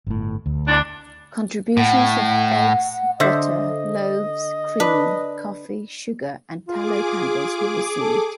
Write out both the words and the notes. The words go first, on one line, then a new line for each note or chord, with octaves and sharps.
Contributions of eggs, butter, loaves, cream, coffee, sugar, and tallow-candles were received.
G1 A2
D2
E2 D4
A2 F#5
D3 C5 D#5 E5
D4 B4
F4 G#4 D6
A4